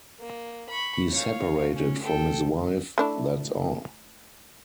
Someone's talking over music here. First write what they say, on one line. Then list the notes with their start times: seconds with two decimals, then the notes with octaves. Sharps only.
He separated from his wife, that’s all.
0.20 A#3
0.69 B5 C#6
1.11 C#5 F5
1.75 C#4
2.04 A4 G5
2.98 A3 D4 E4